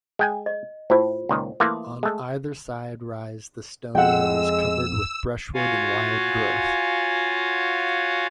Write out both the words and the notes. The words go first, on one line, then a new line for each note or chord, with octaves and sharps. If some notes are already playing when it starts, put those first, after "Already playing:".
On either side rise the stony hills covered with brushwood and wild growth.
G#3 G5 G#5
D#5
A2 E4 F4 C5
C#2 A#2 D#3
E3 A3 A#3 C6 D6 D#6
G#3 A3
F2 G#3 F#5 G5 E6
F4 F#4 C#5 F5 F#5 G#5